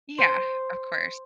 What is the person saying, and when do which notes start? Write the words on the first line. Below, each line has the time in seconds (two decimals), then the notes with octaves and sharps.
Yeah, of course.
0.18 C5